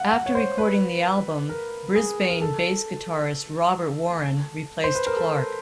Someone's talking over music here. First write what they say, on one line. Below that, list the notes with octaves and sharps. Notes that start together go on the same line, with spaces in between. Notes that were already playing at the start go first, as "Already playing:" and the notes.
After recording the album, Brisbane bass guitarist Robert Warren replaced Clark.
Already playing: F5 F#5
F#5
C#5
C5
B4
A#4
G#4
A#4
A4
C5
B4
A#4
A4